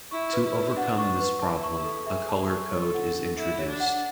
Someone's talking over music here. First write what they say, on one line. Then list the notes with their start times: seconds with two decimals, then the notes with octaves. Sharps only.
To overcome this problem, a color code is introduced.
0.11 E4 C#6
0.33 B4
0.44 E4
0.55 B4
0.76 D4 F#5
0.98 C#6
1.20 B4
1.42 E4 A5
1.63 C#6
1.85 A4
2.06 G#4 E5
2.29 A5
2.50 C#6
2.71 A4 C#5
2.94 F#5
3.15 D4
3.37 E4 A4
3.59 C#5
3.69 D4
3.80 F#5